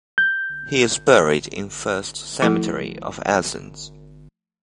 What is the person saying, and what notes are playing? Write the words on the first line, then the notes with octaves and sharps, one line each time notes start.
He is buried in First Cemetery of Athens.
G6
F3 A3 E4 A4